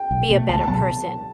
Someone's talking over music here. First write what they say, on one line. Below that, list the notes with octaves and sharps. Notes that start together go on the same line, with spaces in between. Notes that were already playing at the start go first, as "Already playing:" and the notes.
be a better person.
Already playing: G5
B1
B2 F#3 A3
C#2 A5
B2 F#3 B3 A5